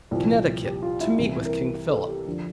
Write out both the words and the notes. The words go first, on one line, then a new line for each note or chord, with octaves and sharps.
Connecticut, to meet with King Philip.
C2 A#2 F3
G4
F4
E4
C2 C3 E3 E4
A#4
A4
G4
F2 D3 F3 D4